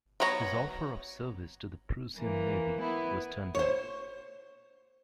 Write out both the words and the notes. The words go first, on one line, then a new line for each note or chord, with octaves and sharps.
His offer of service to the Prussian Navy was turned down.
F#3 B3 C#5 A#5
E3 A#3
B3 E4 B4
C5 C#5